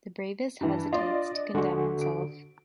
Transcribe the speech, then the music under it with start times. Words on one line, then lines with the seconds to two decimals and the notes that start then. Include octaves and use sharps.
The bravest hesitates to condemn himself.
0.61 G2 E3
0.93 D4 F4 D5 D#5
1.55 D3 G#3 F#4
2.01 D7